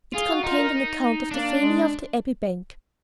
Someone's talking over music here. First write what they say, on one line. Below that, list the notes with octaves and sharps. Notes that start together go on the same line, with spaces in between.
It contained an account of the failure of the Abbey Bank.
F4 G#4
F#4
D#4 F4
A#4
A#3 D4
G#3